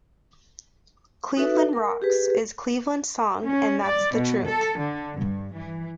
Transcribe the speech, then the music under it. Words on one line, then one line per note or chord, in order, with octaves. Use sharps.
'Cleveland Rocks' is Cleveland's song and that's the truth.
D#4 F#4 A4 B4 E5
A#4 F#5
G4 G#4 B4
C#4
D5
B2
A4
D3
G2
E3